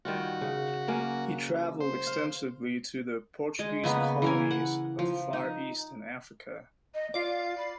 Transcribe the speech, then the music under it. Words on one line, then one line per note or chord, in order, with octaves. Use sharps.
He travelled extensively to the Portuguese colonies of the Far East and Africa.
D#3 G3 F4 F#4
C#3
F#3 A#3 C#4
C5
F5
G#3 D#5
C#3 A#3 B3 B4
E3 A#4 G#5
F#5
F3
D#4
D#5
F4 D5 C7
B5